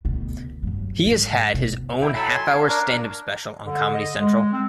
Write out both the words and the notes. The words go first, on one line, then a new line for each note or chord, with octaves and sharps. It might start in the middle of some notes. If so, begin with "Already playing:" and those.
He has had his own half-hour stand-up special on Comedy Central.
D2 B2
G2 F#3
G#2
B2
E4 G5
F#3 A4 A5 B5
G#5 C6
C#5 F5
D4 A#4
D3
D#5
G#3
C4